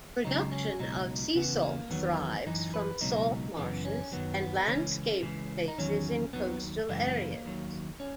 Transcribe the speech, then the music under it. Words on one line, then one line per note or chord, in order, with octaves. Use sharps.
Production of sea salt thrives, from salt marshes and landscaped places in coastal areas.
C#2 C#3 F#3 D#4
C#4
C#2 B2 F#3 D#4
E2 C#3 E3 B3
A#3
E2 D#3 F#3 B3
F#2 E3 D#4
B4
C#2 B2 F#3 D#4
F#2 C#3 E3 B3
C#4
F#2 D#3 F#3 B3
B3
C#2 C#3 E3 C#4
C#2 C#3 E3
D#4
E2 D#3 F#3 C#4
D#2 D#3 F#3 B3
F#2 C#3 E3 G#3
B3
A#3
D#2 D#3 F#3
C#4